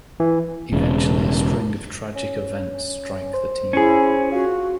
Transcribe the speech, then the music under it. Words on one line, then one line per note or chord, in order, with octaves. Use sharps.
Eventually a string of tragic events strike the team.
E3
E1 C#3
C#4
C5
C#4 E4 G#4
F4 F#4